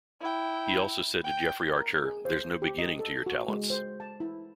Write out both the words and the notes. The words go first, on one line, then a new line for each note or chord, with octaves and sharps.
He also said to Jeffrey Archer, There's no beginning to your talents.
E4 G5
G5
A#4
G#4
C5
G4
D#5
A4
F#4
G#3
C5
A5
E4